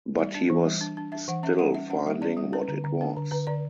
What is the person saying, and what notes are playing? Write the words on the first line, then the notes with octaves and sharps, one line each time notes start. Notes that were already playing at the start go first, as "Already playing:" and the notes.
But he was still finding what it was.
G3 D5
D4
E3
G3
D4
D4
D4 E5
E3 F#5
C#4 E5
G3 F#5
C#4 E5
C#4 F#5
G3 E5
C#4 D5
G3
C#4 B4
D3
D3
D4
D3
D3 B4
D3 D5